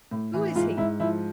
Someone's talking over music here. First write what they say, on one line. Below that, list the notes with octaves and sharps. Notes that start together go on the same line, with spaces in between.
Who is he?'
A2
E3
G#2 F4
G#2 E4
F3 E4